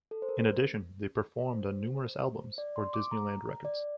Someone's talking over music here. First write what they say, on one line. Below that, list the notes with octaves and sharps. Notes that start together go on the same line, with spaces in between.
In addition, they performed on numerous albums for Disneyland Records.
A4
C5
A#4
C5
D5
C6
D6
A#5
D5